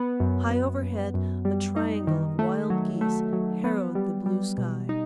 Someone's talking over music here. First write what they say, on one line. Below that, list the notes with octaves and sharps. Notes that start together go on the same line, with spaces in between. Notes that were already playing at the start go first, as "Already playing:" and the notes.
High overhead a triangle of wild geese harrowed the blue sky.
Already playing: B3
F#2
B3
F#2
F#2
G3
D#4
D#3
A3
F#3
A3
F#3
B3
G3
G3
B2
D#4